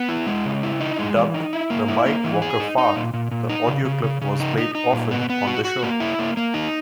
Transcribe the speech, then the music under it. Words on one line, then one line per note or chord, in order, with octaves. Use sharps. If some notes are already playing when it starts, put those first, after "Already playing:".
Dubbed the "Mike Walker Fart," the audio clip was played often on the show.
Already playing: B3
E4
G#3
C#3
E4
D#4
G#3
E3
D#4
E4
A#3
E4
A#3
E3
G#4
D#4
D#4
A#2
A#2
A#2
D#4
C#3
C#3
C#3
C#3
D#4
D#4
D#4
A#2
B3
B3
F#4
F#4
A#3
E4
A#3
A#3
D#4